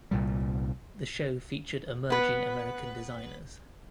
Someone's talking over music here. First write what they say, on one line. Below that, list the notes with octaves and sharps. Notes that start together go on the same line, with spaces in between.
The show featured emerging American designers.
C2 A#2 G3
B3 B4